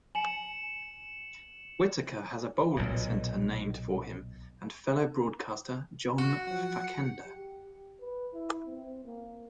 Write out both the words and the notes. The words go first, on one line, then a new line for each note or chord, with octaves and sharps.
Whitaker has a bowling center named for him and fellow broadcaster John Facenda.
G#5 C#7 E7 F#7
B1 A#2
F#4
F3 F#3 F#5
C#7
G4
B4
E4
C4
A#3